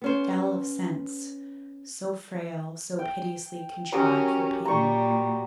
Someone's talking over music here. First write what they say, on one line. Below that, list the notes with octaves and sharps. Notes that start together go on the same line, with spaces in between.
Shell of sense So frail, so piteously contrived for pain.
B3 C#4 C5
G5
F#3 C#4 G4 A#4 D#6
A#2 G3 A#5 C#6